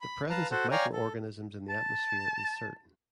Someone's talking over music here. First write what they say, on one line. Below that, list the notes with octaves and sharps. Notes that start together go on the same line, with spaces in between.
The presence of micro-organisms in the atmosphere is certain.
B5
B4 F5 A5 A#5
F#4 A4 C5 F#5
C#5 D5 F5 G5 G#5 A#5
A4
A5